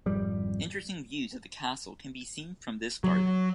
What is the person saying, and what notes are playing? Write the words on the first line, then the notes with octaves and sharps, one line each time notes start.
Interesting views of the castle can be seen from this garden.
G#1 F2 G3
F#3